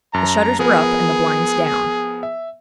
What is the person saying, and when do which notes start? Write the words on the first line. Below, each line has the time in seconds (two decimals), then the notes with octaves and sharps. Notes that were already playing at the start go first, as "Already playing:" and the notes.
The shutters were up and the blinds down.
0.14 F#2 A5 A#5
0.59 F3 B3 G#4 A#4
2.23 E5